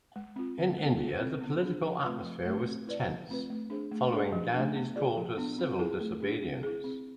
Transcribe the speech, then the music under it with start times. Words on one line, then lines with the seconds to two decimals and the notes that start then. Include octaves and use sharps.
In India, the political atmosphere was tense, following Gandhi's call to civil disobedience.
0.16 G#3
0.36 C4 F4
0.58 D3
0.78 G#3 B3
0.99 G#3
1.20 C4 E4
1.41 B3
1.61 D4 G#4
1.82 F3
2.03 A3 C4 F4 B4
2.24 F3
2.46 A3 C4
2.66 C4
2.87 E4 B4 D5
3.08 F3
3.29 A3 C4 F4 B4
3.50 A3
3.70 D4 G#4 C5
3.92 A3
4.13 D4 G#4 B4 D5
4.33 F3
4.53 A3 D4
4.75 B3
4.95 F4 G#4 D5
5.17 F3
5.37 B3 D4
5.58 C4
5.79 E4 G#4
6.00 A3
6.20 D4 G#4
6.42 C4
6.63 E4 G#4
6.84 C4